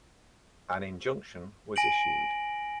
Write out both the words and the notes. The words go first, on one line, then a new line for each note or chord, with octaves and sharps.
An injunction was issued.
G#5 A#6 D7 F#7